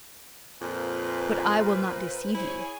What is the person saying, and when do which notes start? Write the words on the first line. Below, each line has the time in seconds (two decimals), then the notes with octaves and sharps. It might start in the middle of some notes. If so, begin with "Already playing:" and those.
But I will not deceive you.
0.61 F2 A#2 B4 C5
2.35 E4 G#4 C5 C#5 G#5